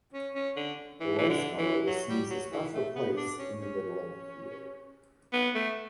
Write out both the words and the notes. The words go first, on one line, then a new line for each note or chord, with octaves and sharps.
The Rice Mother receives a special place in the middle of the field.
C#4
C#4
D3
E3
E3
D3
E3
F#3
G3
F#3
E3
A3
B3
D4
C#4
C#4
B3
A3